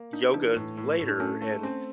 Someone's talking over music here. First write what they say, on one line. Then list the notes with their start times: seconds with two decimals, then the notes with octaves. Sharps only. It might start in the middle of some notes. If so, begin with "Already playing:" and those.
yoga later and
Already playing: A#3
0.13 D4 D#4
0.34 E3 D4
0.56 A2
0.77 A2
0.99 A2
1.08 D4
1.20 A3 C#4
1.42 A3
1.63 C4 C#4